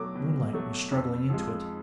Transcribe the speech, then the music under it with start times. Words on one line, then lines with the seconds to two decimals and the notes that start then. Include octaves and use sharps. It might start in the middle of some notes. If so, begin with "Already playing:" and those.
Moonlight was struggling into it.
Already playing: B2 F#3 A3 D6
0.15 B2
0.53 F#3 A3
0.91 F2
1.30 F3 G#3